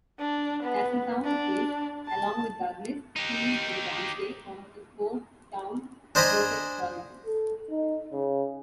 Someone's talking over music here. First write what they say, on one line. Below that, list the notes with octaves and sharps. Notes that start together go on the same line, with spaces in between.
Castletown is, along with Douglas, Peel and Ramsey, one of four town local authorities.
D4
B3
D4
A5
D#4 G4
D4 C5 D#5 G#5 A#5 B5
A4
D#4
C#3